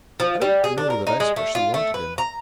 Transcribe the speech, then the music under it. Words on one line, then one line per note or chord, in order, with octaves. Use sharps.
I don't know that I specially wanted him.
F3
G3
G#4
D4
A#4
D#4
G#3
A3
F4
A3
B4
A#5